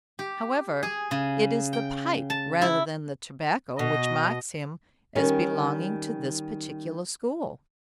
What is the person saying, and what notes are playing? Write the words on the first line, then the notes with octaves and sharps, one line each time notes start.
However, it is the pipe rather than the tobacco which marks him as belonging to this particular school.
G4
G#4
C#3
G5
A5
E4
B2 D#5
D#3 G3 C#4